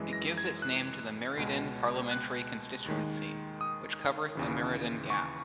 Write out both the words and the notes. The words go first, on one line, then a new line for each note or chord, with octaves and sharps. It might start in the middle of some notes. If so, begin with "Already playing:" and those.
It gives its name to the Meriden parliamentary constituency, which covers the Meriden Gap.
Already playing: F#2 E3 G#3
A#6
G#6
F#6
C#2 B2 G#3
F#6
D#2 D#3 G#3
D#6
D#2 C#3 E3
C#6